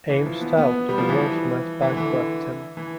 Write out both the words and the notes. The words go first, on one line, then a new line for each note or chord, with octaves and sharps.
Ames thought the divorce might bankrupt him.
E3
F3
B3
B3
G3
F3
E3
E3
D3
E3
E3